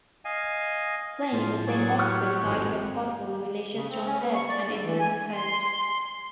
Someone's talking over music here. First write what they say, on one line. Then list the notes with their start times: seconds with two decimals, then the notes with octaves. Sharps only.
Playing in the same Oxford side were possible relations John Hurst and Edmund Hurst.
0.25 D#5 F5 G#5
1.33 A2 F3 F4
1.67 F#3 G#4 C#5 D5
1.99 G4 C#6 F6 F#6
2.43 G#1 F2
3.75 C#3
3.90 C4
4.05 C#4
4.19 B3
4.35 C#6
4.49 D5
4.67 D3
4.83 E3
4.99 G#5
5.35 C6